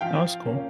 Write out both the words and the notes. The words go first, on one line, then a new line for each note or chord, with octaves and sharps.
Oh, that's cool.
F3 F5 G5
A#3 C#4